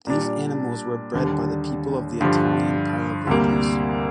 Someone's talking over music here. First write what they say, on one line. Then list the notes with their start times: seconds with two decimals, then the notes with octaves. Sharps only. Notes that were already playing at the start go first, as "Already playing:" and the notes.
These animals were bred by the people of the Italian pile villages.
0.07 A#2 G3 D4
1.14 D#2 D3 G3
2.21 G2 D3 F3
3.27 D2 C3 G3 A#3